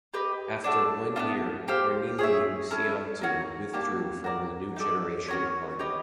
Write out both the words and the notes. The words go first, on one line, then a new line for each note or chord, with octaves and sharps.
After one year Corneliu Ciontu withdrew from the New Generation Party.
G4 B4 D#5
D4 F#4 A4
B3 D4 F4
G4 C5 F5
G#4 C#5 E5
C#4 E4 A4
A#3 C#4 F#4
A#3 D4 G4
F#4 A#4 D5
D#4 F#4 A4 D5
C#4 F#4 A#4 C#5
G4 B4 D#5